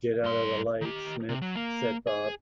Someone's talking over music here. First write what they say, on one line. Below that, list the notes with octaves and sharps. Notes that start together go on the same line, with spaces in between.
"Get out of the light, Smith," said Bob.
G2 C6
D#3 G4
C3
F#3
A#3
G#4